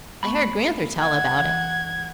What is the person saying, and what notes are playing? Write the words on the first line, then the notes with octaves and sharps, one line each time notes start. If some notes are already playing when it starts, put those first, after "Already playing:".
I heard Gran'ther tell about it.
A3 B3 B5 C#6
F#5 G#6
E3